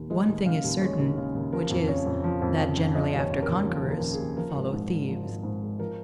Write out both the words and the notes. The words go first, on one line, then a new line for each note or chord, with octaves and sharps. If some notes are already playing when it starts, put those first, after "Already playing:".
One thing is certain, which is, that generally after conquerors follow thieves.
Already playing: D#2
G#3 D#5
D#2
C#3 F5
D#2
G#3 C#5
D#2
C#3
D#2
F3 A#4
F2
C#3 C#5
F2
F3
F2
C#3
F2
F3 D#5
D#2
C#5
C#3
A#4
D#2
F3
D#2
A#4
C#3
G#4
D#2
F3 A#4
G#1
G#2
G#3
F3
G#1
G#2
G#3
F3 A#4